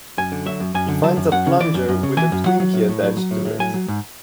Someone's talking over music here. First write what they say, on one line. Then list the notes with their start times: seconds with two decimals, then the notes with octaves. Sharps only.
He finds a plunger with a Twinkie attached to it.
0.18 F#2 G#5
0.32 D3
0.46 F#3 E5
0.60 F#2
0.74 F#2 G#5
0.88 D3
1.03 F#3 A5
1.17 F#2
1.32 F#2 F#5
1.47 C#3
1.60 E3 D5
1.74 F#2
1.89 F#2
2.03 C#3
2.17 E3 G#5
2.32 F#2
2.46 F#3 F#5
2.60 F#3
2.74 A2
2.89 A2
3.03 F#3
3.17 F#3
3.31 A2
3.45 A2
3.59 F#3 G#5
3.74 F#3
3.88 G#2